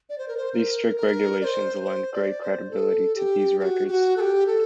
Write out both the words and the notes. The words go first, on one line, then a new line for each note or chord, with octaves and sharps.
These strict regulations lend great credibility to these records.
D5
C5
A#4
C5
A#4
A#4
D5
C5
C5
D5
C5
A4
G4
G4
F#4
G4
F#4
A4
G4
A4